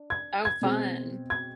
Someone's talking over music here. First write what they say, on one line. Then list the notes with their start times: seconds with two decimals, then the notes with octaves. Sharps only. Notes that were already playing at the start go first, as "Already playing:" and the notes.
Oh, fun.
Already playing: D4
0.10 G#6
0.45 G#6
0.61 B2 G#3 C4
1.30 G#6